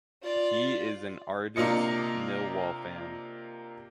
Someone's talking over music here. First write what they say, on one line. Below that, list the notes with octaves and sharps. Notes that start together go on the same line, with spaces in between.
He is an ardent Millwall fan.
F4 D5
C3 A#3 D4 F4 D#5 C#7